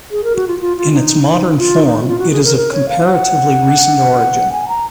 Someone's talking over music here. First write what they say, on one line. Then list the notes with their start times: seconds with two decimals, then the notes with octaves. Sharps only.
In its modern form it is of comparatively recent origin.
0.11 G#4
0.24 A#4
0.36 F#4
0.48 F4
0.60 F4
0.77 F4
0.93 D#4
1.53 D#4
1.58 F4
1.83 D#4
2.01 F#4
2.07 F4
2.19 F#4
2.32 G#4
2.44 A#4
2.56 A#4
2.73 C#5
2.89 F5
3.05 F#5
4.52 G#5
4.68 A#5